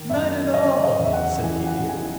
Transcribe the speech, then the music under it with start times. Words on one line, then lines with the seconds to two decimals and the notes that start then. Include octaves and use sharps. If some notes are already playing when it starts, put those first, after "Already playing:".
"Not at all," said the Idiot.
Already playing: D#3
0.10 F#2 E5
0.54 C#3 D#5
0.84 D#5
0.99 E2 E5
1.13 F#5
1.43 E3 G#5
1.67 F#5
1.88 E3 G#5